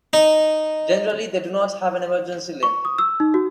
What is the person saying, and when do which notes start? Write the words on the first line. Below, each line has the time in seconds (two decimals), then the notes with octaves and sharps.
Generally, they do not have an emergency lane.
0.13 D#4
2.63 C#6
2.85 D#6
2.98 E6
3.20 D#4
3.34 F#4